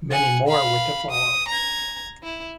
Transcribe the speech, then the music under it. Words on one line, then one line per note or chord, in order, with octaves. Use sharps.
Many more were to follow.
F#5 G#5
F5 B5
D#6
A#5 G#6
E4